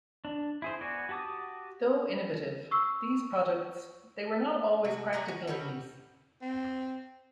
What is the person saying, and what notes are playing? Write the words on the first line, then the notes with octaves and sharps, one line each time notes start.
Though innovative, these products they were not always practical in use.
D4
E4 G#4 C5
B3 F#4 D5 G#5
F#4 G4 A5 D6 D#6
C#6 E6 C7
C3 F#4
F#3 G#3 A3 D5
F#4
G3 C#4 F#4 A4
C4